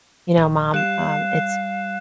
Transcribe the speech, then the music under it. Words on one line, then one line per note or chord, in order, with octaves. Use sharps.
"You know, mom, um, it's
A#1
G3 F5 F#6 E7